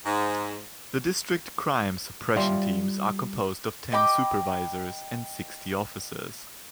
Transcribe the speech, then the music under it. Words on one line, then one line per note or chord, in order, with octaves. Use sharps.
The District Crime Suppression Teams are composed of ten supervisors and sixty officers.
G#2
G3 F4 D5 E5 F5 C6
D#5 G5 B5 D6